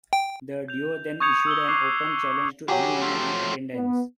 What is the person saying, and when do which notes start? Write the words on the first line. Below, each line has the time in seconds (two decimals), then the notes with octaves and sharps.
The duo then issued an open challenge to any women in attendance.
0.13 G5
0.68 G6 F7
1.20 C#6 D#6 G6 G#6 C#7 F7
1.47 E6 F#7 G7
1.68 C#6 D6 F#6 C7
2.68 E3 F#3 G4 G#4
3.01 F3 A3
3.74 B3